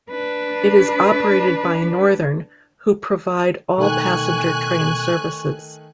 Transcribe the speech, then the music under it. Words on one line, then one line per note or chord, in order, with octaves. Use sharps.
It is operated by Northern who provide all passenger train services.
D4 B4
B2 D#3 A3 G#5 C#6 F#6